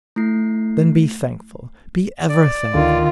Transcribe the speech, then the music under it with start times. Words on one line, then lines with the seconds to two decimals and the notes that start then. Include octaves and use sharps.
Then be thankful--be ever thankful.
0.16 A3 E4 C7
2.29 D5
2.74 D2 D3 D#3 F4